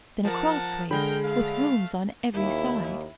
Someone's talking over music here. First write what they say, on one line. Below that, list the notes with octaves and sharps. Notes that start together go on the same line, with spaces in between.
Then a crossway, with rooms on every side.
F3 A#4 F#5 A5
D3 G#3 G#4 A#4 G5 B5
A3 F5
D#2 E4